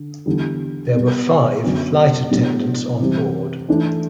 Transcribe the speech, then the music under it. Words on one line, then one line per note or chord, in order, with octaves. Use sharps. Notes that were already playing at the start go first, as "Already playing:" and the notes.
There were five flight attendants on board.
Already playing: D3
E2 D3 G3
B2 G3 B3
F#2 D3 F#3 B3 F#4
A2 F#3 B3 D4 G4
C3 E3 G3
E3 A3 D4